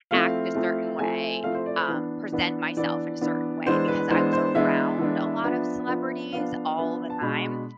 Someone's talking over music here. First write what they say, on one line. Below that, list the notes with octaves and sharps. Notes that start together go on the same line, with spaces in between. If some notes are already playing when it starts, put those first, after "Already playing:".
act a certain way, um, present myself in a certain way, because I was around a lot of celebrities all the time,
F3 A3 C4 E4 F5
F3 A3 C4 E4
F3 A3 C4 E4 G#5
F3 A3 C4 E4 F5
C5
D5
C5
E3 B3 D4
E3 B3 D4
E3 B3 D4 D5
E3 B3 D4
E3 G#3 B3 D4 C5
B4
E3 G#3 B3 D4 C5
C5
E3 G#3 B3 D4 E5
E3 G#3 B3 D4
F3 B3 D4
F3 B3 D4
F3 B3 D4 F5
F3 B3 D4
A5
B2 G#3 D4 B5